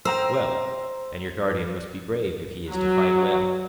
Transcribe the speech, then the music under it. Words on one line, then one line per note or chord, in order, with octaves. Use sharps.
Well, and your guardian must be brave if he is to fight well?
C5 G5 A#5 E6
F#3